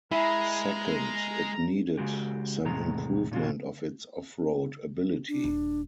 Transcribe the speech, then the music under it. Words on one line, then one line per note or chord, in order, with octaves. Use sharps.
Second, it needed some improvement of its off-road ability.
G#3 E4 G#4 A#4 A#5 B5
C#3 G#3 F#4 G4
E2 A2 C3 G#3 A#5
A#2 C#3 F4 F#4
D4
D#1